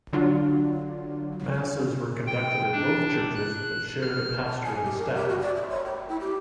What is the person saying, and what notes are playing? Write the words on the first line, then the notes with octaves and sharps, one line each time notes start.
Masses were conducted at both churches, but shared a pastor and staff.
D3 F#3 D4 F4
G5
D4
F#6
F6
A5
G#5
G4
A#4
G4
F#4
D5
E5
C#5
G5
E4
G4